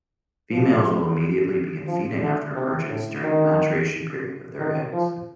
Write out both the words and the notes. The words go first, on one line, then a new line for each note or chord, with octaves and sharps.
Females will immediately begin feeding after emergence during the maturation period of their eggs.
F3
F3
D3
C3
A2
D#3
D#3
F3